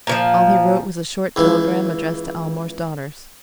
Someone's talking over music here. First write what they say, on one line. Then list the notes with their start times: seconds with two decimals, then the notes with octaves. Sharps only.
All he wrote was a short telegram addressed to Aylmore's daughters.
0.07 A#2 E3 F3
1.36 C#2 E3